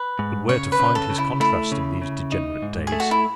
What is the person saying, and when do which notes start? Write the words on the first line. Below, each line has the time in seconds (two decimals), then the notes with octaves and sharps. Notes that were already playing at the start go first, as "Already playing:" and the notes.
But where to find his contrast in these degenerate days?
Already playing: B4
0.19 G#2
0.49 C#3 C#5
0.72 B4
0.79 C#3
0.95 A4
1.10 C#3
1.18 E4
1.40 A3 E4
1.72 C#3
2.02 C#3
2.32 D#4
2.62 G#2
2.87 G#4
2.92 A3
3.00 F#4
3.11 E4